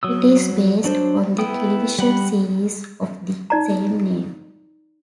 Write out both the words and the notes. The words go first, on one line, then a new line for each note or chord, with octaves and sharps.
It is based on the television series of the same name.
F#3 D#6 E6
F#3 D4 C5
B3 E4 G5 D#6
G3 F#5 B5
D#4 D5 A#5